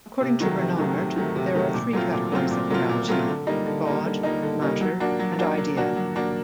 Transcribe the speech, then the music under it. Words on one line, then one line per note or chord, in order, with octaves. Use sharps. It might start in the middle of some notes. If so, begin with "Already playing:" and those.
According to Bernard, there are three categories of reality: God, matter, and idea.
C3
D#3 F#3 A3
C3
D#3 F#3 A3
C3
D#3 F#3 A3
C3
D#3 F#3 A3
A#2
F#3 A3 C4 F4
A#2
F#3 A3 C4 F4
A#2
F#3 A3 C4 F4
A#2
F#3 A3 C4 F4
D3
G3 A#3 D#4
D3
G3 A#3 D#4
D3
G3 A#3 D#4
D3
G3 A#3 D#4
F#3
A#3 D4 F#4
F#3
A#3 D4 F#4
F#3
A#3 D4 F#4
F#3
A#3 D4 F#4